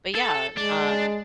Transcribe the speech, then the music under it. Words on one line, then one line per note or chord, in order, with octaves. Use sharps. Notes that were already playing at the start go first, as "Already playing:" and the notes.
But yeah, um
A4
G#3 D4